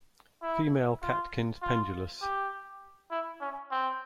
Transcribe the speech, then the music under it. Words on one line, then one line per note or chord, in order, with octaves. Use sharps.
Female catkins pendulous.
E4
F4
F4
G4
E4
C#4
C4